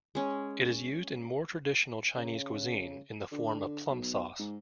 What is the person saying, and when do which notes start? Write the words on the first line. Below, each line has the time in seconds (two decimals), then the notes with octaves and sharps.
It is used in more traditional Chinese cuisine in the form of plum sauce.
0.15 G#3 C#4
2.17 C#3
3.32 D3
3.91 B1
4.40 G#2